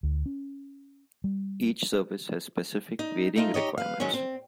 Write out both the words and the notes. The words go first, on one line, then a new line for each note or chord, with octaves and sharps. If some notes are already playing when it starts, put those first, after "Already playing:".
Each service has specific varying requirements.
D2
C#4
G3
D#4
A3 D#4 F4
D#4 G4 C#5 D#5
B4 F5
D#3 F#3 G#3 C#4
C4